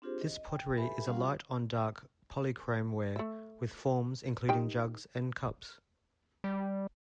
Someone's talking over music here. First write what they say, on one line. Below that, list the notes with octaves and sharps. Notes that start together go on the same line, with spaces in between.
This pottery is a light-on-dark polychrome ware, with forms including jugs and cups.
C4 D4 F4 G4 G#4 C5
D#5
G5
G4 A4 B4 E5 G#5 B5
G3 C#4 F4 F5 F#5
F#4
A3 E5
D#3 G4 G5
G3